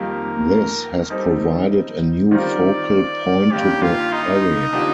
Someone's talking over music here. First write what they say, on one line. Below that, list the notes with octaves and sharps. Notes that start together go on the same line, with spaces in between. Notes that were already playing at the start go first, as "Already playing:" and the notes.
This has provided a new focal point to the area.
Already playing: F2 D#3 G3 A#3 A#4
G3 C4 D#4 A4
D#3 G3 C4 F4 A#4 D5
G2 D#3 A#3 G4
F4
D#4
D3 F3 A#3 D4 G4